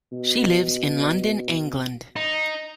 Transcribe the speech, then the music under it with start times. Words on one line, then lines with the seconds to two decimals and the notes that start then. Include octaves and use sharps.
She lives in London, England.
0.12 B2
2.16 D#4